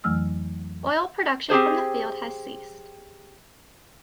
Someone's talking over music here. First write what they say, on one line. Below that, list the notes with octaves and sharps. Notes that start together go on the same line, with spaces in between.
Oil production from the field has ceased.
F2 E3 F#3 A3 E6 F6
C4 G4 G#4 C5